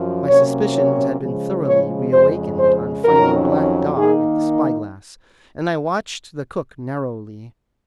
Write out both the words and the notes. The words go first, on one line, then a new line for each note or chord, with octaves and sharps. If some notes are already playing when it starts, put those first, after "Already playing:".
My suspicions had been thoroughly reawakened on finding Black Dog at the Spy-glass, and I watched the cook narrowly.
Already playing: F#2 F3
C3 F#3 A#3 C#4 C#5
C#5
C#3 F3 G#3
C#5
F2 C#3 G#3 C5
C5
F2 D#3 F#3 C#4 A#4
D#3 A#3 D#4 G#4